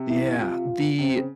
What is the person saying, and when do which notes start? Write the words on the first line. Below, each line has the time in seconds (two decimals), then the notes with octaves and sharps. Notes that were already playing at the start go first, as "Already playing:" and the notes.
Yeah, the
Already playing: C3
0.08 E4
0.39 F4
0.99 C3 C4
1.14 C#3